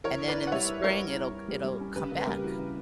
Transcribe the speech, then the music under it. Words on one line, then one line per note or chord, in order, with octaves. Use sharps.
and then in the spring, it'll c it'll come back.
E3 A#4 C#5
E3
B4 D5
E4
F#5
G3 C#5 E5
E4
G3 A#4 C#5
E4
E4
E4
G3
G3
C#4
C#3 G4 B4
A#3
B4
G3 A#4
G4
E3 F#4
C#3